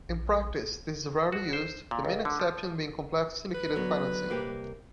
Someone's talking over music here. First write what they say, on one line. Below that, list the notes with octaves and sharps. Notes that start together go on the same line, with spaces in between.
In practice this is rarely used, the main exception being complex syndicated financing.
A#1
F#4
C5
A#2
C#2
D3
F3
B4
D3 F#3 B3
C2 A#3 G4